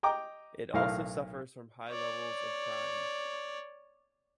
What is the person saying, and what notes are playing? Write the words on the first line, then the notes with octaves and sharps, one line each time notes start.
It also suffers from high levels of crime.
D#5 G5 A#5 D6
B1 A2 A#4 F5
C#5 D5